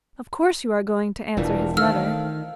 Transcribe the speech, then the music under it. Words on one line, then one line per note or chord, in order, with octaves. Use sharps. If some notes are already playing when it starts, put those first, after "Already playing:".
Of course you are going to answer his letter.
E1 B2 E3 D4 F4 A#4
D#3 A3 C4 A4 D#5 F5 E6 F6